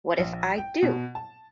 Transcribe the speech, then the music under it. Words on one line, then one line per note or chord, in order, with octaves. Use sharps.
What if I do!
A#1
G5
B2
A5